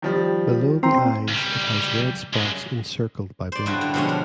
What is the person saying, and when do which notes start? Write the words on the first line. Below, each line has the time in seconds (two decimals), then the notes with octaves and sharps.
Below the eyes it has red spots encircled by black.
0.02 D#3 F3 G3
0.83 C4 A#5
1.28 C#2 G3
2.34 F#2 G#3
3.52 C5 D5
3.66 G2 C#3 G3 E4 F#4
3.81 D3
3.94 B2 D3 F3 G#3 C#4
4.09 D4